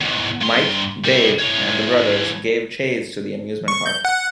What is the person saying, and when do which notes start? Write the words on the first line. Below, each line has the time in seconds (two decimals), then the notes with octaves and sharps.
Mike, Dave, and the brothers give chase to the amusement park.
0.01 E2 G#2
0.41 G2 C6
1.05 G3 E5
1.40 E3 C#5
3.68 C#6
3.86 G6
4.05 F#5